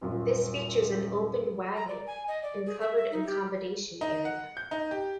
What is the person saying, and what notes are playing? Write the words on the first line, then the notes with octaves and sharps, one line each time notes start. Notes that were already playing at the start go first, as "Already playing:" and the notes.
This features an open wagon and covered accommodation area.
D#1 F#2 F4
A#5
D5
G#5
D#5
D5
G#4
E5
E5
D#4
G4
D#4
F#5
G6
D#4
G4